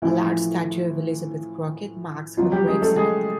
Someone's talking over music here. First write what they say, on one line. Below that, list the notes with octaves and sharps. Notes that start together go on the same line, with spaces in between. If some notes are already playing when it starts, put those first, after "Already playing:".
A large statue of Elizabeth Crockett marks her grave site.
A2 E3 F3 E4
B2 F3 F#3 F4
G3 G4
G#3 G#4
A3 A4
G#3 G#4